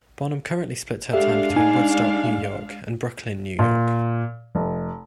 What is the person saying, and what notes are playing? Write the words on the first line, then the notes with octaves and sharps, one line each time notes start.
Bonham currently splits her time between Woodstock, New York, and Brooklyn, New York.
G#3 D4 G4 A4 E5 F5
D#4 G#5
A#2
F1